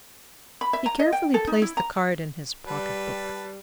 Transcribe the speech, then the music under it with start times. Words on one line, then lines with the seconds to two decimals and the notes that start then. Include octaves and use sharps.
He carefully placed the card in his pocket-book.
0.61 B5
0.73 E5
0.86 A#5
0.99 D#5
1.13 G5
1.34 A4
1.47 D#4
1.62 E4
1.77 A#5
2.67 G3 B4 A5